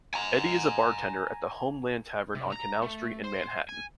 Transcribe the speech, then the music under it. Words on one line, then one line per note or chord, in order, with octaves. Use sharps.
Eddie is a bartender at the Homeland Tavern on Canal Street in Manhattan.
G#5 A#5
C3
A#5
A3
C5
G#5